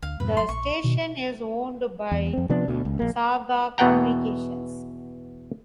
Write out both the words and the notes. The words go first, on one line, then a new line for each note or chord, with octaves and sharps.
The station is owned by Saga Communications.
D2 F5
F2 G#2 B2 B4
F#1 F#3 C6
A#1 C#6
B2 D#3
E2
F2 C4
C3 F3 B3 D4
D2 B2
C#2
A#1 A#3
E2 B2 B3 F#5 G5 A#5